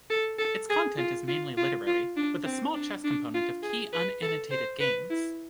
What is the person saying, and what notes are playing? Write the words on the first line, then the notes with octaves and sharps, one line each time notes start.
Its content is mainly literary, with a small chess component of key unannotated games.
A4
A4
G#4
F4
F4
F4
F4
D4
C4
D4
D4
F4
G#4
B4
A4
C5
B4
E4